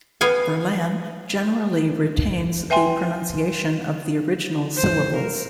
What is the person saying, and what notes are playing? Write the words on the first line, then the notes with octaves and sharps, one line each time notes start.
"Verlan" generally retains the pronunciation of the original syllables.
B3 F5 G#5
B4 E5 G5 G#5 C6
C5
A#4